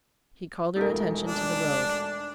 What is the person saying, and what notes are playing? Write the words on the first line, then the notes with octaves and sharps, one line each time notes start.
He called her attention to the road.
E1 A3 D#4 F4 A#4
D4